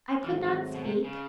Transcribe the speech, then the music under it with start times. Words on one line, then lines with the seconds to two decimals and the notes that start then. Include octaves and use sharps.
I could not speak.
0.24 G#2 D#3 E3 F#3 A3 C4
0.44 E3
0.75 B2
0.84 C3
1.04 C#3